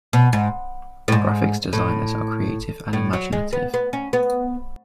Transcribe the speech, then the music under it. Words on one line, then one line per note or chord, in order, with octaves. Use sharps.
Graphics designers are creative and imaginative.
B2
G#2
A2
G#2
A2
A2
F#3
G#3
B3
B3
C#4
B3